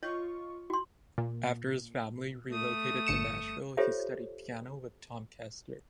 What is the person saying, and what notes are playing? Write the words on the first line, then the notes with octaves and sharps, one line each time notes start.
After his family relocated to Nashville he studied piano with Tom Koester.
F4 C#5 D#5 C#6
F#4 C6
A#2
A3 D#6
G1 C#7 E7
F4 G4 A4 C5 C#5 E5